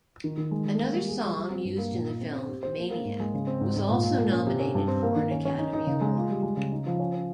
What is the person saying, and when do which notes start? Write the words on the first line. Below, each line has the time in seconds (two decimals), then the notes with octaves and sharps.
Another song used in the film, "Maniac", was also nominated for an Academy Award.
0.24 D#3
0.37 D#3
0.51 G#3
0.65 G#3
0.80 A#3
0.93 G3
1.08 G#4
1.22 G3
1.37 G3
1.50 C4
1.65 G2
1.78 A#3
1.92 A#2
2.07 D#4
2.21 C4
2.35 C4
2.49 G4
2.63 C5
2.77 A#3
2.91 A#3
3.05 G#2
3.20 G#3
3.34 C#3
3.47 C4
3.61 G#2
3.76 G#2
3.89 A#2
4.04 A#2
4.18 A#3
4.31 C#4
4.47 C3
4.60 C#4
4.75 G2
4.88 C4
5.03 A#3
5.16 D#3
5.31 C#4
5.45 C#4
5.59 D#4
5.73 D#4
5.87 C#3
6.01 G#3
6.16 F4
6.30 G3
6.43 G#3
6.57 C#3
6.72 D#4
6.86 F3
7.00 C#4
7.14 C#4